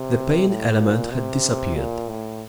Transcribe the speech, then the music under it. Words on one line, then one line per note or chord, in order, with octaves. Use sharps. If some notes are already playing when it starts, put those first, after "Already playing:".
The pain element had disappeared.
Already playing: C3
A2
A#2
C3
A#2
A2